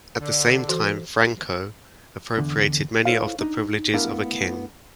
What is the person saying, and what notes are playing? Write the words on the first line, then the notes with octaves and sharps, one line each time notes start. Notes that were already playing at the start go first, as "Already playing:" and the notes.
At the same time, Franco appropriated many of the privileges of a king.
D3
E3 F#4 A4
E2 D3
E4 A4 C5 C#5 F5
D4 D#4
A3 B3 D4 E4 A#4 F5